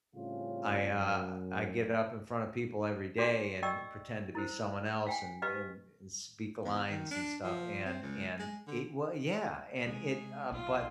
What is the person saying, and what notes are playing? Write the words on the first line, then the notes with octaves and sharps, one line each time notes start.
I, uh, I get up in front of people every day and pretend to be someone else an an and speak lines and stuff, and and it wa Yeah, and it uh, but
A2 C#3 G3 C4 C#4 F4
F#2
D4 F#4 A4 D5 D6
D5 D#5 G5 C#6 E6
E4 A#4 C5
F5 G5 G#5
G4 B4 D#5 F5
E2
D#3
D4
F3
C4
C#2
G#3
D3
C3 G#3 G#4
B1 F4